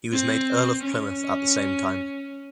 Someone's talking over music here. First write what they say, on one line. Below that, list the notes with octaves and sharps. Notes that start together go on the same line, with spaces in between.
He was made Earl of Plymouth at the same time.
C4
C#4